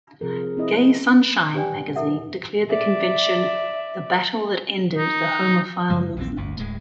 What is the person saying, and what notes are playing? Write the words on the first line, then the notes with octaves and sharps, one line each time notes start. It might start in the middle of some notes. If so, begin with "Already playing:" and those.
"Gay Sunshine" magazine declared the convention "the battle that ended the homophile movement".
C3 F3 G#4 A#4
C4 E4 D#5
G4 B4 C#5 D5 G5 G#5
E4 A4 A#4 E5 F#5
D5 E5
D#4
F#2 C#3 F#3 G#3
A#1 D#2 D3 C4
G1 D2
D1 A2 G#3